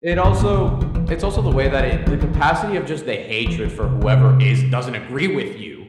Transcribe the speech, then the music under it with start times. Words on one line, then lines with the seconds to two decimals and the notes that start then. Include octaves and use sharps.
it also it's also the way that it the capacity of just the hatred for whoever is doesn't agree with you,
0.12 F2
0.25 G2
0.40 A#2
0.53 B2
0.68 C3
0.81 D3
0.95 E3
1.08 D#3
1.23 D3
1.36 C3
1.51 D3
1.65 D#3
1.79 D#3
1.92 D#3
2.07 D3
2.21 D#3
2.34 D#3
3.46 E3
3.65 D#3
3.83 C3
4.01 C3